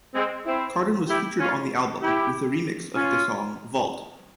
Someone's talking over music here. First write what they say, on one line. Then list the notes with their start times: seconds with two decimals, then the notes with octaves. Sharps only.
Kardon was featured on the album with his remix of the song "Vault".
0.15 G#3 C4
0.46 C4 E4
1.09 E4 G4
1.40 C#4 F4
2.01 E4 G4
2.95 C#4 F4